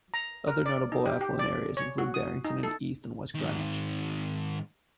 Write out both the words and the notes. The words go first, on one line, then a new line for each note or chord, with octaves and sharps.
Other notable affluent areas include Barrington and East and West Greenwich.
A#5
A#4
D5
D#4
G4
G4
D5
C#5
F#4
D#6
D#4
A4
G#2 D#3